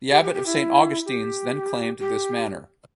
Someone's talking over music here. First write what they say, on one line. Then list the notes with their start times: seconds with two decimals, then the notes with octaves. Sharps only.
The abbot of Saint Augustine's then claimed this manor.
0.10 G4
0.23 G4
0.34 G4
0.46 E4
1.05 G4
1.99 G4